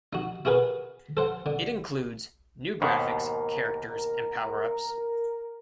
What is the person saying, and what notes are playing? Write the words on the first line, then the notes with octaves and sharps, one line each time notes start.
It includes "new graphics, characters and power-ups".
D#4 F#4
E4 F#4 G#4 A#4 B4
A4 C5 F#5
D3
D#2 G#2 B2 A#4